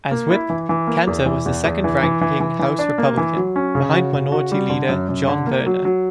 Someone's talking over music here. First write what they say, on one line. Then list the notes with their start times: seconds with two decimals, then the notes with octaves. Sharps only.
As Whip, Cantor was the second-ranking House Republican, behind Minority Leader John Boehner.
0.11 A#3
0.31 E4
0.50 E3
0.69 E3
0.87 A#3
1.07 E2
1.26 E3
1.46 E2
1.64 E2
1.84 E3
2.03 E3
2.21 E3
2.40 E3
2.59 E3
2.79 D4
2.98 A#3
3.17 E3
3.37 F#3
3.56 C#4
3.75 C#3
3.93 F#4
4.13 C#3
4.32 F#4
4.52 G3
4.70 D3
4.89 F#2
5.09 F#2
5.28 D3
5.47 A#3
5.66 F#3
5.85 F#3